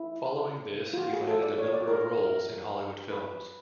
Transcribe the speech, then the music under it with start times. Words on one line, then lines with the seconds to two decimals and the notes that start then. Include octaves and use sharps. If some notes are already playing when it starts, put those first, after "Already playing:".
Following this, he landed a number of roles in Hollywood films.
Already playing: E4
0.93 F4
0.98 F#4
1.13 G#4
1.28 A4
1.43 D5
1.58 C#5
1.73 D5
1.88 A#4
2.18 A#4
3.10 B4